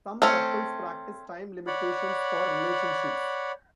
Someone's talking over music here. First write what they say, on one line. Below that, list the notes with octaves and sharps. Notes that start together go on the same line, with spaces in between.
Some couples practice time limitations for relationships.
A3 C4 C#4
C#5 D5 F#5 B5